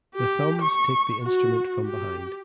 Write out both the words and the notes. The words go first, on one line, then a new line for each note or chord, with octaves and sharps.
The thumbs take the instrument from behind.
G4
C#6
F#4
G4